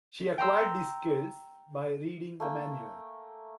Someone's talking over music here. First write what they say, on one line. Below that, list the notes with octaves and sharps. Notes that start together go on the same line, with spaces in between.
She acquired these skills by reading the manual.
G5 A#5 C6 E6
A3 A#3 G5 G#5